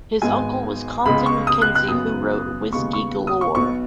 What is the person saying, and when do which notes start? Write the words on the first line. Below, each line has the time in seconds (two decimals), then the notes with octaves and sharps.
His uncle was Compton MacKenzie, who wrote "Whisky Galore".
0.22 G#1 G#2 G#3 B3 G#5
1.05 C#2 C#3 G#3 B3 B5
1.26 C#6
1.47 D#6
1.62 F#6
1.75 F#6
1.88 F#2 C#3 B3 D#6
2.72 D#2 C#3 G#3 B3 C#6
2.93 C#6
3.27 D#6
3.41 C#6
3.55 B1 B2 B3 C#6